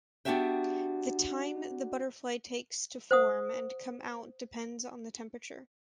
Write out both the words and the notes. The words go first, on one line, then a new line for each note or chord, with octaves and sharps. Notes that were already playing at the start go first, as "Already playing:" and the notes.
The time the butterfly takes to form and come out depends on the temperature.
B3 D4 F#4 G4 E5 G5
C5 F#5 D#6